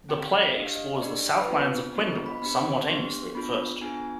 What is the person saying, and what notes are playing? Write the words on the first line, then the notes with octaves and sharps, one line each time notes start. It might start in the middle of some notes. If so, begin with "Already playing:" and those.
The player explores the Southlands of Quendor somewhat aimlessly at first.
C4 D#4 G4 G5
F5
D4 G4 D#5
F5
D#5
D4 G4 D5
B4
B3 D4 F4 C5
B3 D4 F4 C5
D#5
B5
B3 D4 G4 B5
B3 D4 G4 C6
B3 D4 F4 G#4 B5
B3 D4 F4 G#4 G#5
G#5